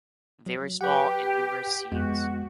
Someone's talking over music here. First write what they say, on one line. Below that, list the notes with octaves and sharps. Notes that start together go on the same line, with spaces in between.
Very small and numerous seeds.
F#3
G4 B4 F#5
F2 G#3 B3 F#4